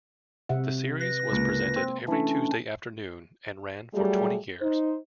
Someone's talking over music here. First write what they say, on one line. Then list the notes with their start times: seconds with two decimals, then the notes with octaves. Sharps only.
The series was presented every Tuesday afternoon and ran for twenty years.
0.49 C3 E5 F#5
1.00 B4 A#6
1.32 C#2 G#3 A#3
1.76 C4
2.08 E3 A3 C#4 D4
3.93 F#3 G3 A3 G4 G#4
4.61 D#4 C5